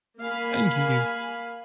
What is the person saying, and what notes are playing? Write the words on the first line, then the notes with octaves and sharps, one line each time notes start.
Thank you.
A#3 F5 G#5 B5